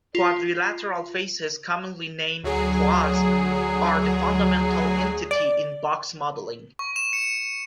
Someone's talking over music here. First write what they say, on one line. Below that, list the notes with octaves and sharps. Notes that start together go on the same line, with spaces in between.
Quadrilateral faces, commonly named "quads", are the fundamental entity in box modeling.
F4
D2 F#3 G#4
D5
C#6
E7
C#7